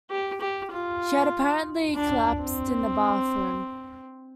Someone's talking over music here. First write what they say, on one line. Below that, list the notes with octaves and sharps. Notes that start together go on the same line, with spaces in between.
She had apparently collapsed in a bathroom.
G4
G4
F4
D4
C4